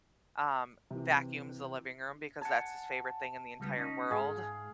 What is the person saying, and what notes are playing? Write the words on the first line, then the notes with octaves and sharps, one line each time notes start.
um, vacuums the living room because that's his favorite thing in the entire world,
C3 E3
F#5 G#5 A5
C#2 G3 B3
C#4 D#4
G#2 G#4 F5